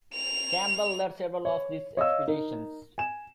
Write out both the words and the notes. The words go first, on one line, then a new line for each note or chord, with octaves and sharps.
Campbell led several of these expeditions.
F7
C#5
C#5 D#5 F5 E6
D#4 A#4
G#5 E7